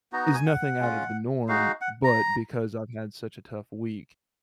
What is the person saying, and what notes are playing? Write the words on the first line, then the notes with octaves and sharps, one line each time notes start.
is nothing out of the norm, but because I've had such a tough week,
B3 D#4 F#4 A#5
G#5
F#5
G#3 C#4 F4
G#3 D#4 F#4 F5
F#5
A#5